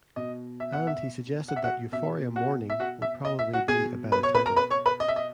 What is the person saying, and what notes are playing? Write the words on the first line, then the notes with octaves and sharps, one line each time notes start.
And he suggested that "Euphoria Morning" would probably be a better title.
B2 D#5
E5
F#5
E5
F#5
E5
F#4 F#5
B2 E5
F#4 F#5
E5
F#4 F#5
E5
D#5
E5
F#4 F#5
B2 G#4 G#5
B4 B5
C#5 C#6
B4 B5
A#4 A#5
B4 B5
C#5 C#6
B4 B5
D#5
E5
D#5